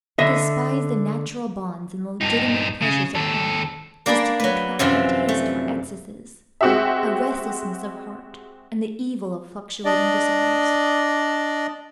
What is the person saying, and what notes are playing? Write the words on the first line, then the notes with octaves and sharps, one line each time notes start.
To despise the natural bonds and legitimate pleasures of home, is to contract a taste for excesses, a restlessness of heart, and the evil of fluctuating desires.
D3 D#5 E5
G2 D#4
C#3
D#2 A4
A#3 D4 G#4 D5 B5
F#3 B4
F#2 C3 E3 F3
A3
G#3 C4 F#4 G4 E5
D4 D5 D#5